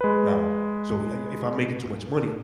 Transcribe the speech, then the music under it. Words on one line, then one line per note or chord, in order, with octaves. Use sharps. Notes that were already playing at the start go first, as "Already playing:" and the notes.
now, so you I I if I'm making too much money,
G#3 B4